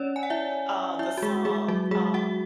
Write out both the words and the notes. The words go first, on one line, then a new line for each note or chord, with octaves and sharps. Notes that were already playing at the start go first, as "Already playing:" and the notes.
uh, the song, um
Already playing: C#4 C#5 D5
G#5
F#5
E4 E5
E4 E5
F#4
G#3 G#4
G#3 G#4
F#3 F#4
G#3 G#4
F#4 F#5